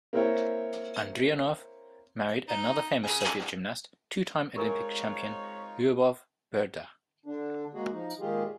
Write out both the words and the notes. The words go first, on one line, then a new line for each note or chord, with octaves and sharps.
Andrianov married another famous Soviet gymnast, two-time Olympic champion Lyubov Burda.
A#3 C4 E4 A#4 C5 C#5
D#4
C#3 G#5
G#3 C4 D#4 F4 G4 A#4 C#5 G#5
D3 D4
G#3 A#3 F#4 G#4
F3 D#4
A#2 D#3 G#3 F4 G4 G#4